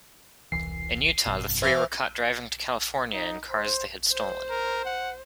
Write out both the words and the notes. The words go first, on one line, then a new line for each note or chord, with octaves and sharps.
In Utah, the three were caught driving to California in cars they had stolen.
E1 C2 E3 C7
G#1 F#2 B2
E3 A#4 C5 F5
D#4
C5
C5
A#4
F#5